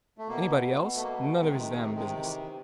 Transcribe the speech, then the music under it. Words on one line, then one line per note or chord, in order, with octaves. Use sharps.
Anybody else, none of his damn business.
A3
B2 A#3
B2
A3
A#3
A3
C3 D#3 G#3
G#3
A3
A3
C3 D#3 G#3
E3